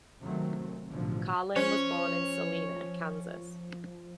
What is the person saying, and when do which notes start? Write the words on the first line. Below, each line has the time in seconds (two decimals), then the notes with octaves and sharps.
Carlin was born in Salina, Kansas.
0.21 C3 D#3 F#3 A3 C4
0.89 A1 B2 D3 F3
1.56 F3 C#4 C5 C#5